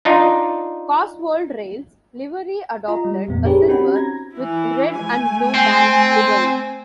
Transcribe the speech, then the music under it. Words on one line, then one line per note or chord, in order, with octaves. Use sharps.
Cotswold Rail's livery adopted a silver, with red and blue bands livery.
D4 D#4 F4
F4 D#5 A#5
G3
G#1 F2 A#2 B3
D4 G4 G#4 A#4 B4 C#5
C4 C#4 D#4 F#4 G4 B5
A#5 G#6 A#6
E3 E4
A3 G#5
C4